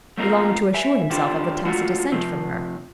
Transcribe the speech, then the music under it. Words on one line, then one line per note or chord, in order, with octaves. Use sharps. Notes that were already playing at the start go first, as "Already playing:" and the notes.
He longed to assure himself of a tacit assent from her.
A3 A#3 C4 D#4 F4 A#4
E5 G#5
D#3 D4 F4 G4 A4 C5
G#3 A3 F4 F#4
C3 F3 C4